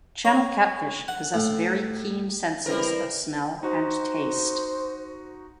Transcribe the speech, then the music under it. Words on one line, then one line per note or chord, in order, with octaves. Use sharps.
Channel catfish possess very keen senses of smell and taste.
C#5
F#5
A2
E3 G3 C4 A#4
D#4 F#4 C5